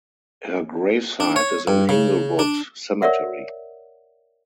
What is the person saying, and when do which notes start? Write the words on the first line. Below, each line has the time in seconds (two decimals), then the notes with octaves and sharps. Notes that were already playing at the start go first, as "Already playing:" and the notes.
Her gravesite is in Inglewood Cemetery.
1.20 D4
1.36 C#5
1.68 G2
1.89 C#3
2.39 D4
3.02 A#4 C#5 D5 E5 F#5